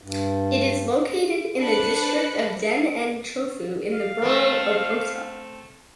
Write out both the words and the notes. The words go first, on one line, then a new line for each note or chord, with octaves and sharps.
It is located in the district of Den-en-chōfu, in the borough of Ōta.
G2
D4 B4 C5 F#6 C#7
F5
A3 C4